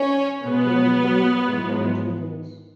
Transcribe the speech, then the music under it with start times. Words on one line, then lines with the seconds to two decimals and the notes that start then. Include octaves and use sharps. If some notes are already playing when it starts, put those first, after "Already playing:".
They will brook no changes.
Already playing: C#4
0.43 B2 G#3 B3
1.46 G#2 E3 G#3